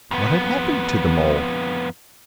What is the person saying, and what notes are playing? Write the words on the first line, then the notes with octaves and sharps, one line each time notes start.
What had happened to them all?
F2 B3